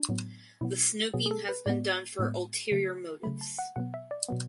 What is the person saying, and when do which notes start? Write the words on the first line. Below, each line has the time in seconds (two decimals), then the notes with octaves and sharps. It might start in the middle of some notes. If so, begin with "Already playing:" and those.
The snooping has been done for ulterior motives.
Already playing: D4
0.09 A2 F#3 B3
0.61 B2 F#3 B3 E4
1.14 B2 F#3 B3 G#4
1.26 G#4
1.31 A4
1.49 B4
1.66 A2 G#3 B3 D5
2.19 A2 G#3 B3
2.71 C#3 F#3 A3
3.23 C#3 F#3 A3 B5
3.41 A5
3.59 F#5
3.76 B2 F#3 B3 F#5
3.94 E5
4.11 D5
4.28 B2 F#3 B3